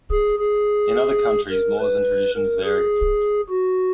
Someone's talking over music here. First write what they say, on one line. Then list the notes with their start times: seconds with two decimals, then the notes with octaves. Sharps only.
In other countries, laws and traditions vary.
0.12 G#4
0.39 G#4
1.51 A#4
1.80 B4
2.36 A#4
2.65 G#4
3.50 F#4